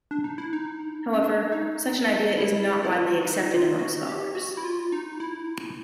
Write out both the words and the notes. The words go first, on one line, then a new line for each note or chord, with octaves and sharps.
However, such an idea is not widely accepted among scholars.
D4
D#4
E4
D#4
C#4
D4
D#4
E4
E4
F4
F#4
D#4
D#4
F4
F#4
G4
F#4
E4
F4
D#4
E4